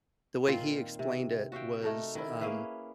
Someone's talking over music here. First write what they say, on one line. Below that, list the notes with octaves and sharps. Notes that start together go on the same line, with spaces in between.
the way he explained it was, um,
A#2 D#3 C4 F4
C3
F#4 E5 F5 G5
A3 D#4 A4 A#4
D#3 E4
A#3 C#4 G#4 B4